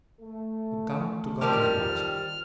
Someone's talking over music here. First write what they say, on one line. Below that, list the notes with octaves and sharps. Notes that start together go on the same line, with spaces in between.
The count took out his watch.
A3 A4
D#3 F3 G3 A#4 A5 D6 F6